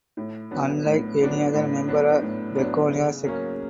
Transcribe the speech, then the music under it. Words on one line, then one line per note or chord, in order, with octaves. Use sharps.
Unlike any other member of Begonia sect.
A2
F#3 B3 D4
A2
F#3 B3 D4
A2
F#3 B3 D4
A2
F#3 B3 D4
C#3
F#3 A#3 C#4